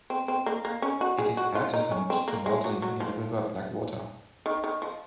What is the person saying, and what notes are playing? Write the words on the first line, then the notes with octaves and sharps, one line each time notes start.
It is adjacent to Maldon, near the River Blackwater.
C4
C4
A#3
A#3
C#4
F#4
G#4
F#4
F4
D#4
C#4
C4
A#3
G#3
F#3
F#3
F3
D#3
D#3
F3